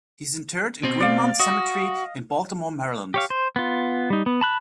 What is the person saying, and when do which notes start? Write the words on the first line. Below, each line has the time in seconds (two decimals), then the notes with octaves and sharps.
He is interred in Greenmount Cemetery in Baltimore, Maryland.
0.83 B2 C4
1.00 D5 F5
1.40 F#4 D#5
3.14 G4 C#5 F5
3.30 C5
3.56 B3 F4
4.10 G3 D#4
4.26 B3
4.41 A5 B5 F#6